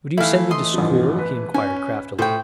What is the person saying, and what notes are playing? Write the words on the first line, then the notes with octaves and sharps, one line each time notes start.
"Would you send me to school?" he inquired craftily.
E3 A3 E4 E5 F5
D#5 C6
A1 G2 F3
B4
C#4 G#5
A2 C5 G5